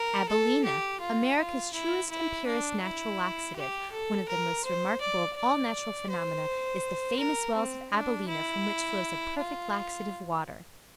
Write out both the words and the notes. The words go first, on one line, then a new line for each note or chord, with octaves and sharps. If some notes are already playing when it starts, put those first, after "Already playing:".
ABILENA America's Truest and Purest Natural Laxative. One of the most remarkable of all natural phenomena is the FAMOUS WELLS OF ABILENA from which flows a perfect laxative water.
Already playing: A#4
A4
G4
F4
F4
E4
E4
D4
E4
G4
A4
A#4
C5
D5
D5
C5
A#4
C4
D4
E4
F4